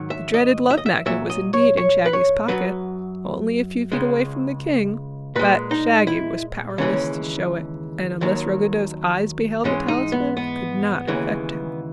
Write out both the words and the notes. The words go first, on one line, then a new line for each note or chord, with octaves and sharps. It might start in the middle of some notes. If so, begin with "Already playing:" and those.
The dreaded Love Magnet was indeed in Shaggy's pocket, only a few feet away from the King, but Shaggy was powerless to show it and unless Ruggedo's eyes beheld the talisman it could not affect him.
Already playing: G#2 D#3 F#3
E5
D#5
E5
D#5
E5
A#2 F#3 E5
D#5
C#5
C#5
B4
C#5
F#2 C#3 F#3 B4
C#2 C#3 G#3
A#2 G#3 B4
D#4
E4
D#2 C#3 E3 G#3 C#4
D#2 D#3 F#3
G#2 E3 G#3 C#4
D#4
B3
B3
D#2 C#3 E3 G#3